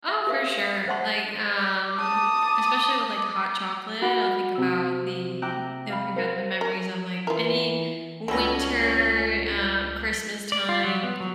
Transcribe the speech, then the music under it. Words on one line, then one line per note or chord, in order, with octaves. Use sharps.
oh, for sure. Like, um, especially with, like, hot chocolate, I'll think about the it'll bring back the memories of, like, any winter, uh, Christmas time
E5 C6
G4 A4 B4 E5 F5
E5 D#6
C5 E5 F#5 A5 C6 C#6
D6
A5 D#6
F#4 F#5 B5 D6
C3 E6
E5 G5 A#5 D6 F#6 G6
F5 B5
A#4 C5
A#4
E3 F4 A#4
C#2 B2 G3 C#4 A4 A#6
D5
F4
F#3
B3
F#3